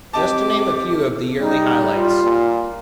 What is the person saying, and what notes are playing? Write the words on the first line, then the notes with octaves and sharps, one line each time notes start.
Just to name a few of the yearly highlights.
C4 G4 D#5 A5 D6
G3 D#4
F4
A#2